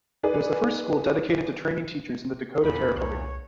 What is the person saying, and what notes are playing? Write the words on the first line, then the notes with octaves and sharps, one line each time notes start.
It was the first school dedicated to training teachers in the Dakota Territory.
D#4 G#4 B4 D5
E2 A#2 D3 B5
C2 C#5